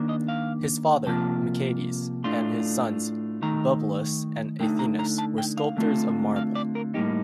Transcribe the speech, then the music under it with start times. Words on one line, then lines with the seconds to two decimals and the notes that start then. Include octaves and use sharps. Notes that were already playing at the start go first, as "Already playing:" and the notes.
His father, Micciades, and his sons, Bupalus and Athenis, were sculptors of marble.
Already playing: D#3 A#3 D4
0.09 D#5
0.28 F5
1.06 C3 F3 A#3 F4 A5
2.24 A2 A3 D4 F4 C6
3.42 D#3 A3 D#4 A#5
4.60 D3 A3 D#4 G5
4.79 A#5
4.99 A#5
5.18 A5
5.38 G5
5.57 F5
5.77 D3 A3 C4 F4
6.36 F5
6.55 D5
6.75 A#4
6.94 A2 G3 A#3 D#4 G4